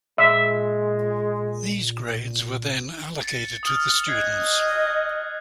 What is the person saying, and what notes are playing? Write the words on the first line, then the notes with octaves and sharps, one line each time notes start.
These grades were then allocated to the students.
A#2 G#3 E5
A6 C#7
D#6 F6
D#5 F#6 G#6 C7